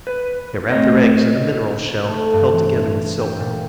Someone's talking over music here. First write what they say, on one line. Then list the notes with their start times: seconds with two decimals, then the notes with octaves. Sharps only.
They wrap their eggs in a mineral shell held together with silk.
0.07 B4
0.70 A3 C4 C#5 D#5
2.09 A3
2.33 G2
2.53 E3
3.21 G5
3.40 A#2